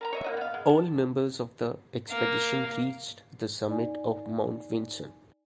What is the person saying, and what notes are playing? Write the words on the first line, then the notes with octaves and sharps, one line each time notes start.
All members of the expedition reached the summit of Mount Vinson.
A#4 A5 A#5
C#5 D#5 E5
A#3 F#4 D#5
B3 F5
G#3
A5
A#3 F5
D#4 D5 G#5